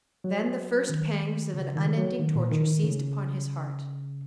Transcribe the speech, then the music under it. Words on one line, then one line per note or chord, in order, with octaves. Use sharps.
Then the first pangs of an unending torture seized upon his heart.
F#3
D#3
C#3
D#3
F#3
D#3
A#2
D#3
D#3
C#3